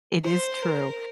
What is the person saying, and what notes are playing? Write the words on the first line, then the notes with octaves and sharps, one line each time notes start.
It is true.
C5
A#4